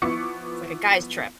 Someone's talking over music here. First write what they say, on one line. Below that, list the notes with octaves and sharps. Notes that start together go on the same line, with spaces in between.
It's like a guys' trip.
F3 B3 E4 C#6 D6 C#7